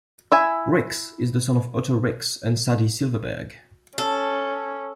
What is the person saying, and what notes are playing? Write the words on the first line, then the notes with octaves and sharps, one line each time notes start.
Rix is the son of Otto Rix and Sadie Silverberg.
E4 E5 G#5
C#4 A4